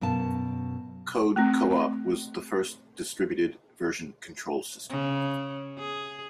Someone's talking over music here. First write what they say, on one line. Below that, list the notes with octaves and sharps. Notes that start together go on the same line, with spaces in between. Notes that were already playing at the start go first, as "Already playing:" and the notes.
Code Co-op was the first distributed version control system.
F#2 B2 F5 A5
A3 C4
C#3
G#4